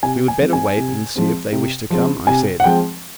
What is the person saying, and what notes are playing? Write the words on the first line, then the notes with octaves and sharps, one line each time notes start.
"We would better wait and see if they wish to come," I said.
C3 G#5
G#5
F3 G#3 C4
G#5
C3
F3 G#3 C4
C3
F3 G#3 C4
C3 G#5
F#5
F3 G#3 C4 G5